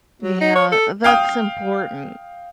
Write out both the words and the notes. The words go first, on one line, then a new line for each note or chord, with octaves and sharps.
Yeah. That's important.
F#3
D#4
C#5
A4
F5 G5 D#6